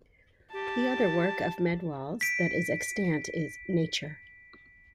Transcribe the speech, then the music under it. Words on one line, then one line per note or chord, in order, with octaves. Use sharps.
The other work of Medwall's that is extant is "Nature".
G4 A5
B6 D7